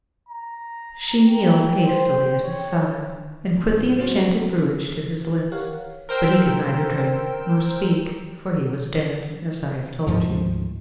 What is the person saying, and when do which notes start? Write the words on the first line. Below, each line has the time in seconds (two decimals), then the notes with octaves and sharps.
She kneeled hastily at his side, and put the enchanted brewage to his lips, but he could neither drink nor speak, for he was dead, as I have told you.
0.29 A#5
1.25 G5
1.86 C5
2.43 C#5
3.57 A2 C#3
3.97 C#3 F#3 B3 C#4 F#4 C5
4.59 C#3
5.52 G4 A#4 C#5 F5 F#5
6.09 A#4 C5 G5 E6
10.07 D2 G#2 F3